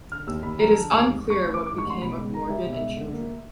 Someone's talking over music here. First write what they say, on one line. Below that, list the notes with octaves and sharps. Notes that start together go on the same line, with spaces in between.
It is unclear what became of Morgan and children.
D3 F6
D#2 E6
D#2 B5
F3 A#5
D3 A5
D#2 G#5
G#2
A1
C#6
A1
E3 D6
G#2 D6
C#6
A1 C6
B2 B5
C#2
C#2 A#5
G3 E5
B2
E5
C#2
D3
A#3